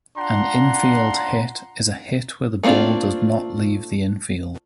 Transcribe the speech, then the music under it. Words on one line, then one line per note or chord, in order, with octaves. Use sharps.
An "infield hit" is a hit where the ball does not leave the infield.
D4 F4 F#5 A#5 C6
A3 A#3 C4 D4 F4